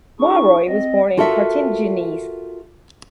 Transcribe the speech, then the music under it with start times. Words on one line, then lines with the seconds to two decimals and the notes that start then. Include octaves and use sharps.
Mauroy was born in Cartignies.
0.20 D4 E4 G#4 C#6
0.68 C4 D#5
1.17 F4 F#4 A4 A#4 D#5 E5